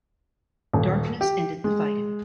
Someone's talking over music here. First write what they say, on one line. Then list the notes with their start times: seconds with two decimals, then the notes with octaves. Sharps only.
Darkness ended the fighting.
0.73 D#1
1.21 G4
1.64 G#3